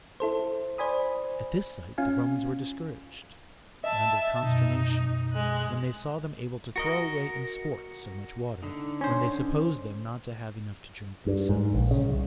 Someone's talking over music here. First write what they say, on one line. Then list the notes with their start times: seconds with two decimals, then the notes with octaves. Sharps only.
At this sight the Romans were discouraged, and under consternation, when they saw them able to throw away in sport so much water, when they supposed them not to have enough to drink themselves.
0.20 E4 A4 C5
0.78 C5 D5 G#5 B5 D#6
1.98 C#4 F4 F5 G#5
3.84 D#5 E5 A5
4.43 F#2 B2 D#4
5.33 G#3 F#6
6.76 F#4 A#4 D#5 C#7
8.63 D3 D#4
9.01 C#4 C5
11.26 G2
11.49 G#2
11.74 A#1
11.91 C#3
12.08 C2